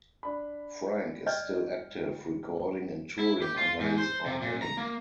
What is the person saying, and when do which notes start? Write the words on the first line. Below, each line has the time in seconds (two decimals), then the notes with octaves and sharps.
Frank is still active, recording and touring under his own name.
0.23 D4 B5
1.26 D5 D#5 G5 F6 G6
3.19 E4
3.42 G4
3.57 F4
3.80 G#2
3.98 C5
4.26 C3
4.42 A#2
4.62 A#5
4.77 A#3